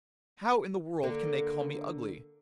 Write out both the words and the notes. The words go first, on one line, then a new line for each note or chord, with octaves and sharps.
How in the world can they call me ugly?
D3 A#3